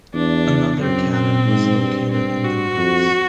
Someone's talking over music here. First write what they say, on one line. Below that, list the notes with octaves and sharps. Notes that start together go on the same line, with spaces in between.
Another cannon was located in the nose.
E2 D4
F#2 C4
C4
G#2
G2
C4
F#4
F2